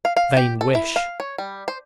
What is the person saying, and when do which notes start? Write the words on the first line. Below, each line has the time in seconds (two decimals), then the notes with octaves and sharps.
Vain wish!
0.05 F5
0.17 F5
0.37 G4
0.61 A4
0.75 E4
0.96 F5
1.20 C#5
1.38 G3
1.68 C5